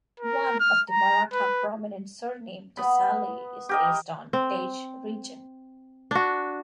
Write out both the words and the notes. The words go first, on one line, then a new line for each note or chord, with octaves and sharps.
One of the Maratha prominent surname 'Desale' is based on 'Desh' region.
A#4
F6
A#5
B4
B3 B5
G4 A#4 D#5
C4
D4 F#4